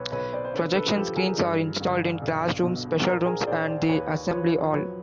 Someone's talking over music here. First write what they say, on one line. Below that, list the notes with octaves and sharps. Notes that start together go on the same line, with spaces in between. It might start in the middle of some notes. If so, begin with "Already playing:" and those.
Projection screens are installed in classrooms, special rooms and the assembly hall.
Already playing: B1 B4 C#5
B1 B4 C#5
C5 D5
C5
D3 B4 C#5
A4 B4
F3 G4 A4
G#4 A#4
G2
G1
B1
B2
A#1 A#4 C5
G#4 A#4
A#1 C5 D5
C5 D5
D#2 B4 C#5
F3 B4 C#5
F#3 B4 C#5